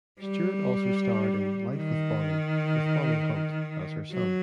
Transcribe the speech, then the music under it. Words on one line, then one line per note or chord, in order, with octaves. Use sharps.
Stewart also starred in "Life With Bonnie" with Bonnie Hunt, as her son.
G3
D#3
F#3